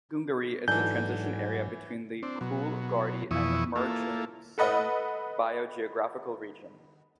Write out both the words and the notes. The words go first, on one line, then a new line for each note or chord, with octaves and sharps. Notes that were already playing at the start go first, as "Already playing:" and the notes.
Goongarrie is the transition area between the Coolgardie and Murchison Biogeographical region.
G#2 E3 F#3 D4 D#4 A4 G#5 G6
C4 D4
B2 F#3
F2 B2 E3 E4 C#6 D#6
A#3 E4 F4 A4
A4 B4 D#5 F#5